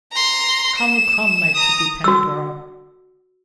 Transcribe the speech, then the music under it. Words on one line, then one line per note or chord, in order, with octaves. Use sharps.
Come, come, my pretty Pandora!
A#5 C6
E7
A#5 D#6
F#4 E6